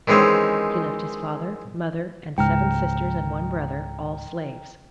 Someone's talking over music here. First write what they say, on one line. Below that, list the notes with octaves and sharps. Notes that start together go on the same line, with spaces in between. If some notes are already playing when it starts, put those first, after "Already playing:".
He left his father, mother and seven sisters and one brother, all slaves.
D#3 E3 G#3 C4 C#4
C#2 G#2 G5 A#5 F6